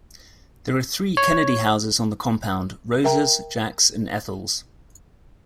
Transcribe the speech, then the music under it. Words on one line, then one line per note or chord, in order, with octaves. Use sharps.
There are three Kennedy houses on the compound: Rose's, Jack's, and Ethel's.
C#5
A#4 E5 G5 A#5